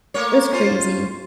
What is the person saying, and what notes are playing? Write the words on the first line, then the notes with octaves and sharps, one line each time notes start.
it was crazy.
A3 A#3 C#5
C#4 F4 C5